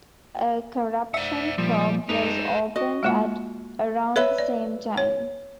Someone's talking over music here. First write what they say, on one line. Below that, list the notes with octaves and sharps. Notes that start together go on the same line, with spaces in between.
A corruption probe was opened at around the same time.
C5 D5 E5 F#5
A#2 F3 G3
G#3 A3 D#4 B4 D5
F#4 D#5
G#3 A#3 F4
B4 C#5 E5 B5
D5
C#5